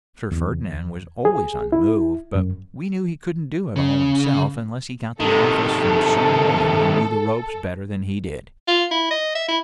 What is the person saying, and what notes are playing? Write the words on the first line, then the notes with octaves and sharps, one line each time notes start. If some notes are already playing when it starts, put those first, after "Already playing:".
Sir Ferdinand was always on the move, but we knew he couldn't do it all himself unless he got the office from some one who knew the ropes better than he did.
E2
G#4
E4
F#2
C#3
C3 D#3 A4
F4
E4
D#5
E5
E4